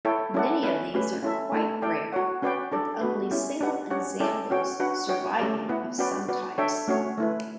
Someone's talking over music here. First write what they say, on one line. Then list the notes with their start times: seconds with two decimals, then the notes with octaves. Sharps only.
Many of these are quite rare, with only single examples surviving of some types.
0.05 E4 A4 C#5 G5
0.34 C#4 E4 A4 D5 F#5
0.63 C#4 E4 B4
0.94 A3 C#4 G4 B4
1.23 C#4 E4 A4 E5
1.52 A3 E4 A4
1.82 E4 A4 D5 G5
2.12 F#4 C#5 F#5
2.42 C#4 F#4 B4 D5 G5
2.72 D4 A4 D5
3.01 B3 F#4 B4
3.31 C#4 E4 G4
3.61 D4 G4 B4 F#5
3.90 C#4 G4 C#5 F#5
4.20 C#4 E4 A4 D5 G5
4.50 C#4 F#4 C#5 G5
4.80 D4 F#4 B4 F#5
5.09 F#4 C#5 G5
5.39 A3 C#4 G4 D5
5.69 B3 E4 B4 F#5
5.99 C#4 F#4 B4 D5 G5
6.28 F#4 B4 D5
6.58 D4 A4 C#5 E5 G5
6.88 A3 C#4 F#4 C#5
7.18 A3 E4 B4